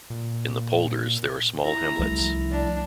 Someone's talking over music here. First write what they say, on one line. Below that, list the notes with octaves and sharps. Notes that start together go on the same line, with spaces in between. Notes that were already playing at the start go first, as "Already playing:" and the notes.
In the polders there are small hamlets.
A#2
E4 A#5
C2 F3 A3
D4